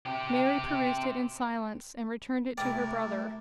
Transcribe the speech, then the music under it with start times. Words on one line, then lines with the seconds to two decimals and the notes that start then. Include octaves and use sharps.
Mary perused it in silence, and returned it to her brother.
0.06 C4 G4
2.58 C3 A3 E4 A#4 D5 G5